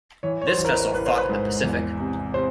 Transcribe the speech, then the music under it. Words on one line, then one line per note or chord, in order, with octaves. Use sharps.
This vessel fought in the Pacific.
E3 C#5
C#5
C5
A1
A#4
B4
A1 B4
C5
B4
G#2
E2
C3
C3 C5